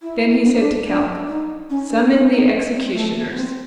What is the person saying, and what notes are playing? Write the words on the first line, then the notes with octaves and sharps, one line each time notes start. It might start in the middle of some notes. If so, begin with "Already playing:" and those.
Then he said to Kaliko: "Summon the executioners."
E4
D4
D#4
D4
D4
D#4
C#4
D4
D4
D#4
C#4
C4
A3
A#3
B3
C4